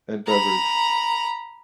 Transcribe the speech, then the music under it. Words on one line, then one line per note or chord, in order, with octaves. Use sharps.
and beverage.
A#5 B5